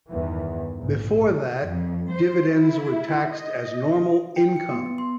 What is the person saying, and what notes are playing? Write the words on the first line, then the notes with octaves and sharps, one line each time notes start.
Before that, dividends were taxed as normal income.
E2 G2 D#3 E3
A#1 G#2
F2
C5
E4
D#5
G5
C#7
B3
B3
C6